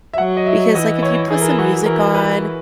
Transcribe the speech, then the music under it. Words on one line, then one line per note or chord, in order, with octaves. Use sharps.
Because, like, if you put some music on,
E5
F#3 F#5
D#5
E5
E3 D#5
C#5
E3 G#4
A#4
G#4
F#4
E3 A#4
B4